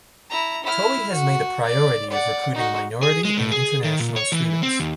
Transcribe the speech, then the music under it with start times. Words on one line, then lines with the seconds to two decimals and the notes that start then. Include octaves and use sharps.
Towey has made a priority of recruiting minority and international students.
0.30 E4 A#5
0.64 E4 F6
1.12 F#4
1.64 D5
2.10 D5 F#5
2.55 D#4 F#4
3.03 G#4
3.25 G#3
3.37 A2
3.52 G#4
3.84 D#3
4.00 A#2
4.16 C#5
4.32 E3
4.63 C4
4.80 D#2